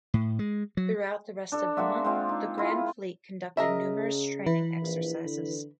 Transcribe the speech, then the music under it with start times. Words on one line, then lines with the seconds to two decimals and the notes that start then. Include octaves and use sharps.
Throughout the rest of the month, the Grand Fleet conducted numerous training exercises.
0.14 A2
0.39 G#3
0.77 F#3
1.52 D4 A4
1.77 G#3 A#3 F#4 E5
2.04 G#3 C4 F4
2.29 D#4
2.58 E4 F4
3.57 C#3 A#4 D#5 E5
4.46 E3 E4 B4
4.82 A#1
5.25 D3